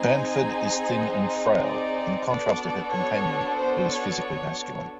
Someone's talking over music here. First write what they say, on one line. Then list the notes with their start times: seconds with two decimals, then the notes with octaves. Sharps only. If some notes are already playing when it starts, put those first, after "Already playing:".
Banford is thin and frail, in contrast to her companion who is physically masculine.
Already playing: C4 D#4 G#4 G#5
1.64 D5
2.29 B3 D4 F#4 A4 D5
2.94 C#5
3.59 C5
3.93 C#5